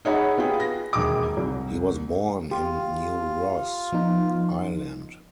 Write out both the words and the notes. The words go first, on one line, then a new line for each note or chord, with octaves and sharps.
He was born in New Ross, Ireland.
D#4 G#4 C#5 E5 F#5 B5
B3 F4 G4 G#4
A#6
E1 D#2 G#4 D6
C2
F4 G4
F3 B3 D#4